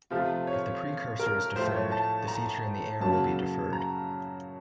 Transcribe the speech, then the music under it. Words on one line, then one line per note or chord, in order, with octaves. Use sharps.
If the precursor is deferred, the feature in the heir will be deferred.
C3 F3 A3 F4
C#5
A#4
A2 F3 A3 C5
C#5
A5
A#5
F#2 C#3 F#3 A#3 A5
A#5